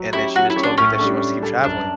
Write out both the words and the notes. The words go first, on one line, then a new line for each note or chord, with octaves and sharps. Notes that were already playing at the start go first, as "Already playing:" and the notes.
and then she just told me that she wants to keep traveling,
Already playing: F#3
C#4 E4 G4 C#5
F#3 F#4
E4
C#4 G4 C#5
D4
A2 C#4
G3 D4 A4
A2
G3 D4 A4
F#2 D4